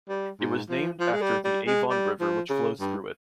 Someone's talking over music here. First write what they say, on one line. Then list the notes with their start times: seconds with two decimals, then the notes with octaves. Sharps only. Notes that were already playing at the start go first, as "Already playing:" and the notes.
It was named after the Avon River which flows through it.
0.09 G3
0.40 G#2
0.69 F3
1.00 F3
1.13 G#3
1.22 G3
1.44 G3
1.67 G#3
1.90 G3
2.20 F3
2.50 C#3
2.80 G2